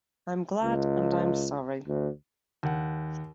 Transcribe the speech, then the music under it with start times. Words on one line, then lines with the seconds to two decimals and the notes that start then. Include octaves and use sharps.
I’m glad and I’m sorry.
0.63 C#2
1.87 D2
2.63 D#2 F#5